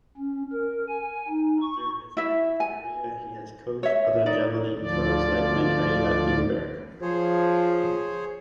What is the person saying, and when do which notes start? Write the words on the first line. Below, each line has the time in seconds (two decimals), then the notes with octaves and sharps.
After his active career he has coached other javelin throwers like Mikaela Ingberg.
0.17 C#4
0.52 A#4
0.89 G#5
1.28 D#4
1.62 C#6
2.17 E4 E5
2.60 G#5
3.83 C#5 E5
4.26 D#4 D5
4.78 D2 F3 D5
7.02 F3 G#4 C5 C#5